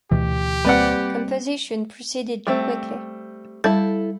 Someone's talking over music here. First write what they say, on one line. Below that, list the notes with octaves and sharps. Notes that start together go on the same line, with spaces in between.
Composition proceeded quickly.
D2 B2 E3 G4
G3 A#3 C4 B4 D5 F#5
G3 A3 C4
G3 E4 A4 A6